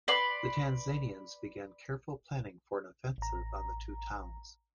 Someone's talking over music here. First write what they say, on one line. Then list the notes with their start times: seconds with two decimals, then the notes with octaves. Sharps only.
The Tanzanians began careful planning for an offensive on the two towns.
0.08 B4 D5 C6
3.18 A1 A#5